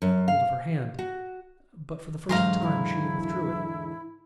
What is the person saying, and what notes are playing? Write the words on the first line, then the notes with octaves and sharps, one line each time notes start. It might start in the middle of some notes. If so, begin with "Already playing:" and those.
I got hold of her hand, but for the first time she withdrew it.
F#2
F5
F#4
E2 G#2 D3 F#3 F5 A#5 C6
E4